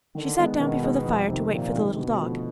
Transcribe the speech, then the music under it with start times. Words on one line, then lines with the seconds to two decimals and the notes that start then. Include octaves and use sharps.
She sat down before the fire to wait for the little dog.
0.15 D3 D#3
0.38 G#3 B3 D#4
0.60 B2 D#3
0.83 G#3 B3 D#4
1.06 F2
1.28 C3 D#3
1.51 F2 A#2
1.74 C3 D#3
1.97 B2 D3
2.20 F3 A3